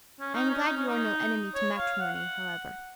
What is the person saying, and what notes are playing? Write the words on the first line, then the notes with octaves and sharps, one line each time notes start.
I am glad you are no enemy to matrimony, however.
C#4
D#4
C#4
D#4
C#4
D#4
C#5
F5
F#5